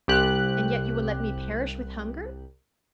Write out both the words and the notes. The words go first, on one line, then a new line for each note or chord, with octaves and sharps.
"And yet you will let me perish with hunger?"
C2 G4 F#6